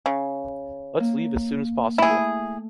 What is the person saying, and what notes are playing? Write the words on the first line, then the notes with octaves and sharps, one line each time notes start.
Let’s leave as soon as possible!
C#3
A#3
A3 E4 G#4